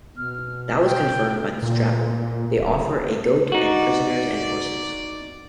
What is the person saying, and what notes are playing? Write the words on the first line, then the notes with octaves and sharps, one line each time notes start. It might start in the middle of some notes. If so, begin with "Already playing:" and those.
That was confirmed by Strabo: "They offer a goat and prisoners and horses".
B2 F6
G5
A#2
D1
D#4 F#4 D5